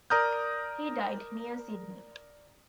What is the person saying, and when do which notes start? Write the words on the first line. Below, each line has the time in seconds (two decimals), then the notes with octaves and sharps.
He died near Sydney.
0.10 A#4 D5 A#5 D#6 F6 G6